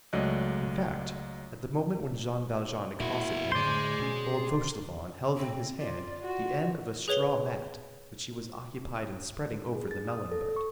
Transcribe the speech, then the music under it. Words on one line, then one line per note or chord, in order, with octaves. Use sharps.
In fact, at the moment when Jean Valjean accosted him, old Fauchelevent held in his hand the end of a straw mat which he was occupied in spreading over the melon bed.
C#2 F#3 A3 D5 D#5 F#6
A#2 E4 F#4
A2 D3 G#4 C5 D5 C6
B2 C#4
C4
F4 D5
F#4
G#4 B4 C#5 F7 G7
G#4
A6
D#6
A4
C#6